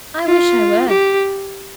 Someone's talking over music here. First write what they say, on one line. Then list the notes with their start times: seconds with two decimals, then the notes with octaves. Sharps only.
I wish I were.
0.26 F4
0.89 G4